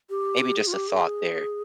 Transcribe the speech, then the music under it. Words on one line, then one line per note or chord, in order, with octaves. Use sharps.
maybe just a thought there.
G4
G#4
F4
G4
G#4